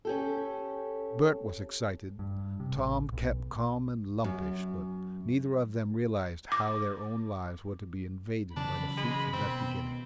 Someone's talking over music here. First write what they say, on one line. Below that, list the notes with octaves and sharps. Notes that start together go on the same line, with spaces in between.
Bert was excited, Tom kept calm and lumpish, but neither of them realised how their own lives were to be invaded by the fruits of that beginning.
C#4 G4 A4
G2
C3
A1
B1
F#2
D6
C#3 E3 F#3 D4 B5
G#3
B2 D#3 C4